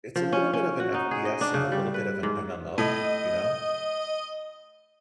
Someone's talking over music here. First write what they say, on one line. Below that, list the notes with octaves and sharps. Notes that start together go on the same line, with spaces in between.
It's a little bit of an FPS and a little bit of an MMO, you know?
F3
C#4
C#4
F#4
D#4
G#4
D#5
D4
C#3
G3
B4
G#2
A2 D#5